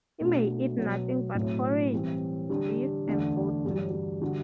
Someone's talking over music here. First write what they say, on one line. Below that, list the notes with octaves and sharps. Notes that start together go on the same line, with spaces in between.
He may eat nothing but porridge, beef, and goat meat.
B2 A3 D4 F#4
B2 F#3 B3
A2 F#3 C4 E4
E3 G3 C4
D3 G3 D4 G4
E2 D3 A3 D4
G2 E3 G3 D4 F#4
D3 G3 D4 F#4